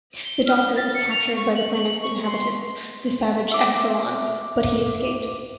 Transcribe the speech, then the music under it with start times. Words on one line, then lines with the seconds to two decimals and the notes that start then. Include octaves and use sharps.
The Doctor is captured by the planet's inhabitants, the savage Exxilons, but he escapes.
0.24 G7
0.46 F6
0.76 A6
0.94 C#7
1.11 F7
1.36 C#6
1.55 F#7
1.73 F#7
2.02 C#6
2.25 C6
3.52 E5 D6